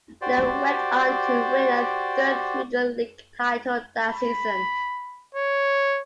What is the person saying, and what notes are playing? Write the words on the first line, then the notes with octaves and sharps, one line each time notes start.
They went on to win a third Midland League title that season.
F#4 G4 C5 D5
B5
C#5